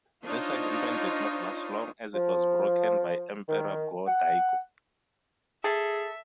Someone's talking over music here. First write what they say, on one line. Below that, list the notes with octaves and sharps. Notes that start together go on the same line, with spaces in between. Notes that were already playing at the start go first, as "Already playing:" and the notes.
This agreement did not last long, as it was broken by Emperor Go-Daigo.
D4 D#4 F4 C5 C#5 D#5
F3
D#3
F#5
G#4 A4 E5